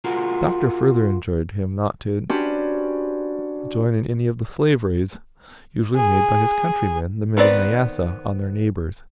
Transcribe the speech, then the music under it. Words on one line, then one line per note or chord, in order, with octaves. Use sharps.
The Doctor further enjoined him not to join in any of the slave raids usually made by his countrymen, the men of Nyassa, on their neighbours.
F4 F#4 G#4 A#4
C#4 D4 F#4 G4 B4 C5
G#4
D#3 B3 C4 B4 D5